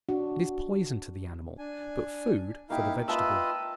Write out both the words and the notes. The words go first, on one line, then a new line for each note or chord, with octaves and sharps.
It is poison to the animal, but food for the vegetable.
D4 F#4
D4 G#5
A#3 D#4 E4 G4 F5
F4 B4 D#5 E5 A5 A#5